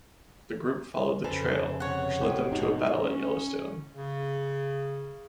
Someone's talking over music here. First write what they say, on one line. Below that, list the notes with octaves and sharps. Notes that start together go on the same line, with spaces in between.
The group followed the trail, which led them to a battle at Yellowstone.
F2 C#3 A4 B4 C5 G#5
C3 C#5 F#5
A1 A2 G#3 C4 G4
G#2 B2 D#4 F#4
C#4
C#3